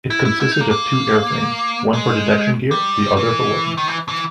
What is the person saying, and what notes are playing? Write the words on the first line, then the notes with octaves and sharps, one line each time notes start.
It consisted of two airframes, one for detection gear, the other for weapons.
E4
E4
E4
D#4
A#3
A#3
G#3
G3
E3
D#3
E3
E3